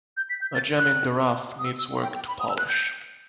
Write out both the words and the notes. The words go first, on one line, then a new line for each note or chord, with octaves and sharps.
A gem in the rough needs work to polish.
G6
B6
G6
A6
F#6
D#6
E6
E6
G5
G5
B5
D#6
E6
F#6
G6